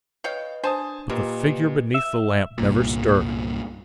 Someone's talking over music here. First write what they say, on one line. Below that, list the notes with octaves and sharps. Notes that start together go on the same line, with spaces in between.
But the figure beneath the lamp never stirred.
B4 C#5 D#5 F5 G5
D4 C5 G#5 A5 D#6
A#2 G4 A#4 B4 D#5
E5
C2 G2 A#2